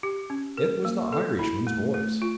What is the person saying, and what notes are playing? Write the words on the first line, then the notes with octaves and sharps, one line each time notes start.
It was the Irishman's voice.
G4
C#4
A#4
A#3
A4
E4
A3
A3
F4